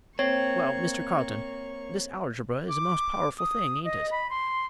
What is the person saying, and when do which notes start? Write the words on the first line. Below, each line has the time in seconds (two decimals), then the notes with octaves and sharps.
"Well, Mr. Carlton, this algebra is a most powerful thing--ain't it?"
0.19 A#3 C4 C#5 C#6
2.69 D6
3.38 D#6
3.85 D#5
4.11 B5
4.30 C6